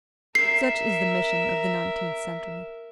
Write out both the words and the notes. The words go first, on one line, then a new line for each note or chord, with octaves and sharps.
Such is the mission of the nineteenth century.
A#4 E5 C7